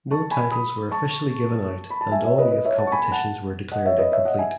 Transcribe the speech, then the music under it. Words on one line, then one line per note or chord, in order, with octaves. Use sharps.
No titles were officially given out and all youth competitions were declared incomplete.
A5 C#6
G#5 B5
B5 D#6
A5 C#6
B5
A5
E5 G#5
C#5 E5
B4 D#5
B4 D#5
C#5 E5
F#5 A5
C#6
G#5 B5
F#5 A5
D#5 F#5
C#5 E5
B4 D#5
C#5 E5
D#5 F#5
E5 G#5